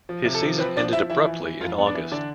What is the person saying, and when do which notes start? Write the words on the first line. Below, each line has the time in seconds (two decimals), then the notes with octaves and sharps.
His season ended abruptly in August.
0.09 F3
0.26 C3
0.35 A4
0.42 F3
0.59 C4 B4
0.76 F3 D4 D5
0.93 F3 E4 E5
1.10 E3 E4 E5
1.27 E3
1.43 E3
1.61 F2 F4 F5
1.78 B3
1.87 D4 D5
1.95 E3
2.12 D3 D4 D5